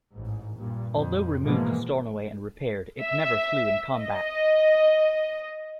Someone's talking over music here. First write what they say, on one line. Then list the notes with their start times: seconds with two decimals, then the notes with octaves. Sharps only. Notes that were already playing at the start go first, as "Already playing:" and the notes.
Although removed to Stornoway and repaired, it never flew in combat.
0.13 A1 G#2
0.58 G2 A#2
0.95 F2
1.45 G#2 B2 E3 F3 G#3 A#3
3.01 E5
3.98 D#5